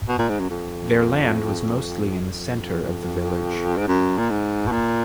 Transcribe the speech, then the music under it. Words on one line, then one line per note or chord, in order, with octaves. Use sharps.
Their land was mostly in the centre of the village.
B2
A#2
G#2
F#2
F2
F2
G#2
F#2
A#2
G#2
B2
A#2